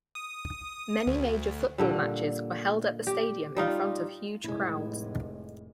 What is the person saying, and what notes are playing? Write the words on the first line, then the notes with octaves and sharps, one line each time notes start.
Many major football matches were held at the stadium in front of huge crowds.
D#6
D2
A#2 D3 G3
G4
G3 D#4 F4
F1 A2 G#3 E4